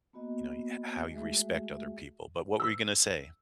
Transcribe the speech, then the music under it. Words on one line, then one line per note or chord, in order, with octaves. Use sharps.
you know, ho how you respect other people, but what were you gonna say?
A#3 B3 F#4 D#5
G#3 A3 F#4 G#4 E5
E6